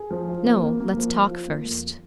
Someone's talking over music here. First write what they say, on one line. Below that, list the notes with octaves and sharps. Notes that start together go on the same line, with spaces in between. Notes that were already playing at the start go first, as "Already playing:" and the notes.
'No, let's talk first.'
Already playing: G#4
F3
F4
A#3
A#3
A#3
F3
F4
F4
A#3
F2